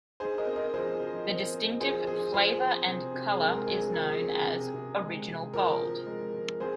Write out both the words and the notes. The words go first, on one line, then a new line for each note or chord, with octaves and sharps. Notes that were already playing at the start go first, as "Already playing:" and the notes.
The distinctive flavor and color is known as "Original Gold".
D#4 G#4 C5
A#4 D#5
C4
A#4 D#5
F3 G#4 C5
F3
C4
C4
F3 G#4 C5
F3 G#4
F3 G#4 C5
C4
C3
C3
G#4
G#3 A#4
A#4
G#3 G#4
F3 A#4
G#4
C4
G#4
C3
C3
G#3
C3
F3 A#4
F3
G#3
F3
C4 G#4 C5